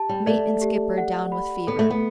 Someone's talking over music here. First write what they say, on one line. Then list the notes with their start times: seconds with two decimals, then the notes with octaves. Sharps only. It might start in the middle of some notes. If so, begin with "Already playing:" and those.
Mate and skipper down with fever.
Already playing: G4 A5
0.09 G3
0.26 A3 D5
0.61 G4
0.98 F#5
1.32 B5
1.67 B3 A4
1.79 A3
1.91 B3